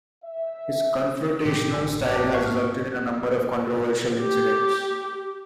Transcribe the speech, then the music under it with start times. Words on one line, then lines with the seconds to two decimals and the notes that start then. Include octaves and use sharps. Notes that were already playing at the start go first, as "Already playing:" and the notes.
His confrontational style has resulted in a number of controversial incidents.
0.24 E5
1.46 A2 C3 D#3 G4
1.74 A1 G2 G#5
2.05 F#3 D4 G4 C#5 G#6
2.34 F5 C#6 G#6
2.46 G#2 C#6 F6
2.69 F3
4.17 G4